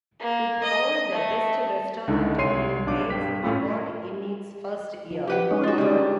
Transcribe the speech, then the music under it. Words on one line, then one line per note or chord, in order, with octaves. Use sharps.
It won the "Best Restaurant in Wales" award in its first year.
A#3
D#5
A3
C#2 D3 G#3 D#4 E4 A4
C2 C#5 C6 C7 D#7
B1 D4 D6
G2 G5 B6
A2 A3 C#4 F4
F3
G4 B4 F#5
G#3 C#4 D#4
F4 F#4
D3 G3